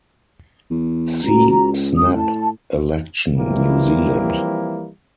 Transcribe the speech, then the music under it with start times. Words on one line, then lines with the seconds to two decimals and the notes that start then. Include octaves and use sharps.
See Snap election, New Zealand.
0.70 E2
1.23 C#2 F#4 A#5
1.96 D#6
2.14 A2 A5
3.37 E3 F3 G3 A#3 C4 E4